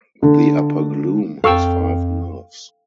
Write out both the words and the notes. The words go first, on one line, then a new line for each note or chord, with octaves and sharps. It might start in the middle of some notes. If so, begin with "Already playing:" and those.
The upper glume has five nerves.
D3
F2 A4 F5 G5 C#6 E6